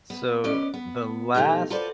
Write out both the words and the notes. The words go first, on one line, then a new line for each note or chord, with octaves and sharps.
So, the last
B3
C#4 B4 D5 D#5
B3
B2 D#3 F3 A3 D#4 G4
F4 F#4 A4 B4 C5 D5